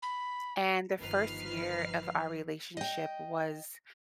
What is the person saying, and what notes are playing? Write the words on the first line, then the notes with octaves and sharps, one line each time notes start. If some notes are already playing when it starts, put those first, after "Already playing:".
And the first year of our relationship was
B5
G1 D#3 F3 B4 F6 C7
D#5 G5